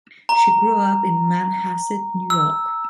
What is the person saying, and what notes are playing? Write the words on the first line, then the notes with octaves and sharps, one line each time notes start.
She grew up in Manhasset, New York.
A#5
E6